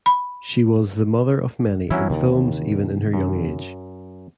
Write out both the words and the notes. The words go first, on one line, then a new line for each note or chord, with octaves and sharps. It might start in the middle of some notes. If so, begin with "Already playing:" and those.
She was the mother of many in films even in her young age.
B5
E3 F#3 G3 C4 C#4 E4
D#2 C3 D#3 E3
F#2